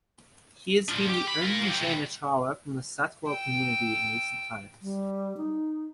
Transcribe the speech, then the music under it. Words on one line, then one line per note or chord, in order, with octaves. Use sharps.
He has been the only Jain acharya from the Saitwal community in recent times.
D4 F4
G4
B5
F4 A#4
F#3 G4
C3 G3
G5 E6
G3
D#4